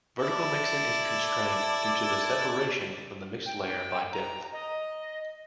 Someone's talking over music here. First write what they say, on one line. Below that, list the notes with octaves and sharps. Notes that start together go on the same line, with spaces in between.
Vertical mixing is constrained due to the separation from the mixed layer by depth.
E4 A4 D5
G5
A#5
D#5